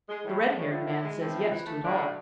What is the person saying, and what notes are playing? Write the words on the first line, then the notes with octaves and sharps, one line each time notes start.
The red-haired man says yes to it all.
G#3
A2 E3
G#3
A2 C#4
F3
E4
G#3
A2 C4
F3
E3
A3
A2 D4
F#3